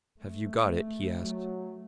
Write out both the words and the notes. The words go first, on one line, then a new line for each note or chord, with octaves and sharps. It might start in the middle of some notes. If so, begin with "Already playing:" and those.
"Have you got it?" he asked.
A3
F#3